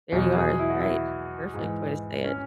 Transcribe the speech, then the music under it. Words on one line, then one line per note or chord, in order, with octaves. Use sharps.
There you are, right, perfect way to say it.
E2 B2 F#3 G#4
G#4
E4
F#4
E4
G#2 E3
C#4